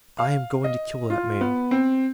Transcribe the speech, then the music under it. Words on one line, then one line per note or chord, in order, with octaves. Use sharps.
I am going to kill that man.
F5
D#5
F4
B3
C4